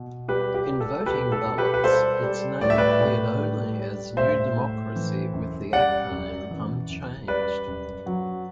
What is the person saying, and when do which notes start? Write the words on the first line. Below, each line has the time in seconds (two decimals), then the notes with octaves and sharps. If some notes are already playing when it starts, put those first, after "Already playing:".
In voting ballots, its name appeared only as New Democracy, with the acronym unchanged.
Already playing: B2
0.28 G3 G4 B4
0.54 G4
0.67 G3
0.80 A4
1.01 A4
1.06 B2 G4 B4
1.32 A4
1.45 B2
1.58 G4 B4
1.74 B4
1.84 G3 A4 C5
2.23 G3
2.61 A2 D5
2.70 E5
2.78 B4 D5
3.01 A2
3.39 G3
3.79 G3
4.17 A2 C5 E5
4.57 A2
4.96 E3
5.33 F#2
5.73 G3 D5 F#5
6.11 F#2
6.51 E3
6.90 F#2
7.28 G3 B4 D5
7.67 F#2
8.06 F#3